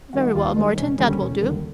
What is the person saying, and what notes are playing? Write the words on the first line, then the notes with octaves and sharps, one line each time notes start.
"Very well, Morton, that will do."
D#3 G3 F#4
D#2 F4
D#3 G3 D#4
E1 C#4
D#2 D3 G3 A#3 C#4
E1
D#2 D3 G3 A#3